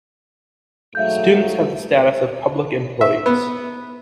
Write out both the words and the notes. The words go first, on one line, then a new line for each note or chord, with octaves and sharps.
Students have the status of public employees.
G#2 F#3 A3 E5 F5 G6
E5
B3